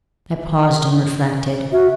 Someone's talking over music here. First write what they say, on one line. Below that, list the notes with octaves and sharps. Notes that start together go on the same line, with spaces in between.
I paused and reflected.
F#4 E5